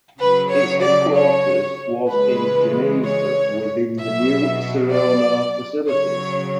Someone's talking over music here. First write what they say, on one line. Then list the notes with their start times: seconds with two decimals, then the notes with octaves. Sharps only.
Its headquarters was in Geneva, within the new Serono facilities.
0.19 C#3 F#3 B4
0.51 C#5
0.82 D5
1.15 C#5
2.09 C#3 E3 G#3 B4
3.04 C#5
3.98 B2 F#3 E5
4.93 D5
5.87 C#3 F#3 C#5